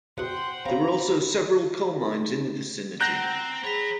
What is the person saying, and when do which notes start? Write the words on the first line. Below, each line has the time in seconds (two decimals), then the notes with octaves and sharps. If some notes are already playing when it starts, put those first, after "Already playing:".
There were also several coal-mines in the vicinity.
0.18 E2 B2 C5 F#5 G5 C6
0.66 C#3 C4 F5 F#5 A#5 B5
2.02 D#4
3.01 C4 F#5 A#5 F#6 G6 A#6
3.64 G#4 C#5 A#5 B5 B6